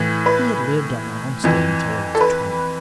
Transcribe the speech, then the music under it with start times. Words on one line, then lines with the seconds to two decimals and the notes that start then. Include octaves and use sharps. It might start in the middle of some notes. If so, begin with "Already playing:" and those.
He had lived on the homestead until he was twenty.
Already playing: A2 E3
0.26 B4
1.44 F2 E3
2.15 A4
2.21 B4